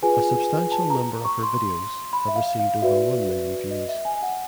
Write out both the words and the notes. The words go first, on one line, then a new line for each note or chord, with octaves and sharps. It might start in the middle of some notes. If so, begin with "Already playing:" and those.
A substantial number of her videos have received over one million views.
F4 G#4 B4 G#5
A5
A#5
C#6
C6
B5
E5
F5
F5
F#4 B4 D5 E5
D#5
E5
G#5
F#5